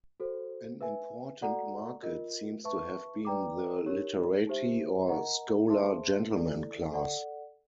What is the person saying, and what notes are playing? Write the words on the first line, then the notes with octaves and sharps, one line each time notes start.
An important market seems to have been the "literati" or scholar-gentleman class.
F#4 A4 C5
B4 E5 G#5
F#4 A4 D5 F#5 A#5
F4 A#4 D#5
B4 E5 A5 C#6
B4 D5 G5 A#5 D6
D#4 G4 A#4 C#5
D#4 G4 C5 E5
A#4 D#5 F#5 A#5
G#4 C5 E5 A5 C6
E4 A4 D5
A4 D5 F#5